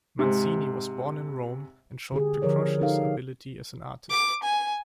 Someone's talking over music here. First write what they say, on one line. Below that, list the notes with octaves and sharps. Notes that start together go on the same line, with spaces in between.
Mancini was born in Rome and showed precocious ability as an artist.
G#2 C3
D3 G4 G#4
D3 F3 A#4 C#5 D5
D#4 G4 A4 A#4 F5
D6
G#5